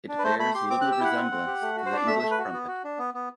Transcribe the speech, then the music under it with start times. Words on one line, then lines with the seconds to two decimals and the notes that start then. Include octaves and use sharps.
It bears little resemblance to the English crumpet.
0.09 D4
0.19 B4
0.24 A3 C5
0.39 A3 B5
0.54 G4 C6
0.70 C4 D6
0.81 F#6
0.86 G4
0.92 E6
1.00 E4 F#5
1.16 C4
1.31 C4
1.47 G4
1.62 A3
1.76 F#4
1.86 C5
1.92 D4 D5
2.07 A3 E5
2.19 E5
2.23 A3
2.31 B4
2.38 F#4
2.53 B3
2.68 F#4
2.84 D4
2.98 B3
3.14 B3